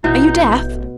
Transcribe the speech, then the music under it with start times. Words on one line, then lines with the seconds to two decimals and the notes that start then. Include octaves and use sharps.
"Are you deaf?"
0.04 A1 B2 D#4 E4 G6